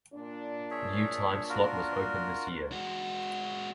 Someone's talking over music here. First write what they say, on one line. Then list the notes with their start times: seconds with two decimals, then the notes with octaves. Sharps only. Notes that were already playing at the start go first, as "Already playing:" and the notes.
New time slot was opened this year.
0.13 A#2 D4
0.71 G#4 C#5 E5
1.49 F4 F#4 A#4
2.72 G#3 F#4